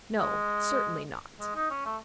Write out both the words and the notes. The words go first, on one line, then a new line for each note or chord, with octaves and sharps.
No; certainly not.
G#3
G#3
D#4
C#4
A3